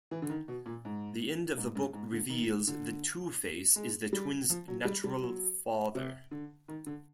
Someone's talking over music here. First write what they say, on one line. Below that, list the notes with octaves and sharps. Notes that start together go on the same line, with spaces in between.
The end of the book reveals that Two-Face is the twins' natural father.
E3
D3
D#3
B2
A#2
G#2
G#2
G2
G#2
D3
D#3
D3
G#3
G3
F3
F#3
G3
G3
F#3
C3
D3
D#3
D3